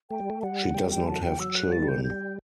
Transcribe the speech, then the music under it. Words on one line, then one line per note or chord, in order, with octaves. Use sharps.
She does not have children.
A3 G5
G3
A3
G3 F#5
G3 G5
G5
F#3 A5
G5
F#3 E6
F#6
G3 A6
G6
G3 G6